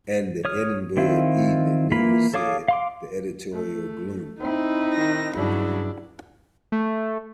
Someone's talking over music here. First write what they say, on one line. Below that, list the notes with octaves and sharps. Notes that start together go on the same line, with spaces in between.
And the Edinburgh Evening News says, with editorial gloom.
C#5 D#6 F6
D#3 C4 E4 F4
E3 A#3 F4 F5 B5
A4 C#5 F5 D6 D#6
F5 C6 D6
A3
C4 D#4 E4
D#3 A#6
G2 C#3 F#3 D4 E4
A3